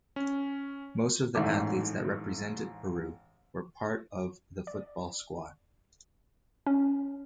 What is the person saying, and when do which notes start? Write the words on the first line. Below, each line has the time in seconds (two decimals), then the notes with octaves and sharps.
Most of the athletes that represented Peru were part of the football squad.
0.16 C#4
1.35 A1 G#2 A3 E5 D6
4.67 D5
6.67 C#4